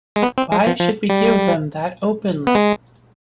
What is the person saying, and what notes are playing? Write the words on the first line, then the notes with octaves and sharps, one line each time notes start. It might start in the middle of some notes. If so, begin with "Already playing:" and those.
Why should we give them that openly?
G#3
B3
C4
G#3
F3
F3
G3
B3
G#3